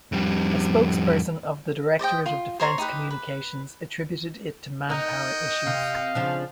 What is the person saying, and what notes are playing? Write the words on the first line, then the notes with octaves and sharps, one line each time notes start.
A spokesperson of the Directorate of Defense Communications attributed it to manpower issues.
F2 G3
C5 D5 D#5 G5
F4
C5 C#5 A#5 C6
D#4 G4 B4
B4
D#4 A#4 D#5 F#5 G5
C3 F5
C#3 F3 D4